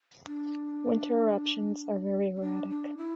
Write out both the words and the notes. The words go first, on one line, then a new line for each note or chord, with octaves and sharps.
Winter eruptions are very erratic.
D4
C#4
D4
D4
E4